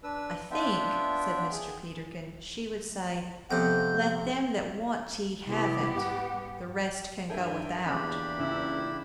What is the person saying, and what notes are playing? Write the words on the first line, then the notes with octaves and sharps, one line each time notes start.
"I think," said Mr. Peterkin, "she would say, let them that want tea have it; the rest can go without."
D4 B4 E6
B3 D4 F4 E5 G5
G#4
F2 C3 B3 G6
C3 G3 B3 E4 G4
G#2 F#5
G2 A4 A#4 E5 G5 G#5
E2 A#2 C#4 D4 G4 B5
C#2 E4 E6